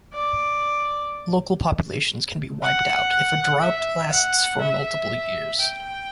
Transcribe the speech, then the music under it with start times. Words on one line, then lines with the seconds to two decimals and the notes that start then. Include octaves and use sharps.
Local populations can be wiped out if a drought lasts for multiple years.
0.13 D5
2.62 F#5
3.62 E5
4.11 F#5
4.61 E5
5.61 G5